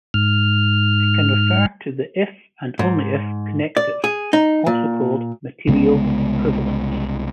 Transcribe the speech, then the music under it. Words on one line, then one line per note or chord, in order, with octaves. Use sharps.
It can refer to the if and only if connective, also called material equivalence.
G#2 F6
G#2
D5
G#4
D#4
A#2
C2 C#3 G#3 B3